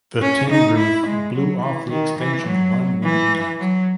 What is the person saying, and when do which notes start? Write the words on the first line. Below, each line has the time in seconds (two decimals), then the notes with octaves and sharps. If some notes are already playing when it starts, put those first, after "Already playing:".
The tin roof blew off the extension one windy night.
0.21 C#4
0.50 D#4
0.78 E4
1.07 G#3
1.34 F#3
1.62 E3
1.90 D#3
2.19 E3
2.47 F#3
3.04 E3
3.60 F#3